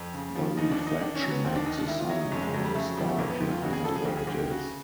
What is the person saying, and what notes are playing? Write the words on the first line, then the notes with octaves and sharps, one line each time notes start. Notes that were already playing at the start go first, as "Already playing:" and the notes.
The refraction makes the sun or a star appear higher than it is.
Already playing: F2
C#3
F3
D#2 D#4
D4
D#2
D#4
D#3 D4
C#4
F#3
B3
D#2 C4
D4
D#2 D#4
D4
D#3 E4
F4
F#3 E4
D#4
F2 C#4
G#3
F2 F#3
G3
C#3 A3
F#3
F3 G3
A3
F2 A#3
B3
F2 B3
F4
C#3 F#4
G#4
F3 A4
G#4
D2 G4
G#4
D2
G4
C#3 F#4